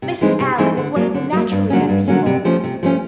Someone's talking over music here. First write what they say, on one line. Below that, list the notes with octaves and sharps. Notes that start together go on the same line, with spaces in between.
Mrs. Allan is one of the naturally good people.
C3
E3 G#3 C4 D#4
C3
E3 G#3 C4 D#4
D3
F#3 A#3
D3
F#3 A#3
G2
D3 F#3 A#3 C#4
G2
D3 F#3 A#3 C#4
C3
F3 A3 C#4
C3
F3 A3 C#4